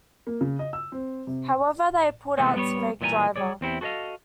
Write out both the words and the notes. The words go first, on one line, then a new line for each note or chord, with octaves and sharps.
However, they pulled out to make "Driver".
A#3
C#3
D#5
E6
C4
C3
C3 E3 G#3 A3 B3 C4
G3 B3 B4 C#5
A#2 E3 G3 E4 G#5 A#5
G3 G#4 C#5 D5
E2 C4 E4 G4
F#4 A4 C5 D#5 F5